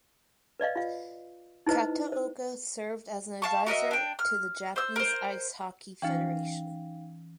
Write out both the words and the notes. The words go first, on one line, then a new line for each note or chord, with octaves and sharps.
Kataoka served as an advisor to the Japanese Ice Hockey Federation.
B4 D5 D#5 F5
F4 F5
D#4 E4 B4 C5 D#5
C5
F5 A5 C#6
F#4 A#4 D#5 E5
D4 G5
F6
C5 E6
A#4 C5
E3 C#4 D#4 F5 G5